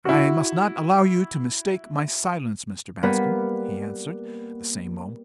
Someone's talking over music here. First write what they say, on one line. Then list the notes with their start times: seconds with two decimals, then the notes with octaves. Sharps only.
"I must not allow you to mistake my silence, Mr. Bascombe," he answered the same moment.
0.05 E4 F#4
3.03 G3 A#3 B3 B4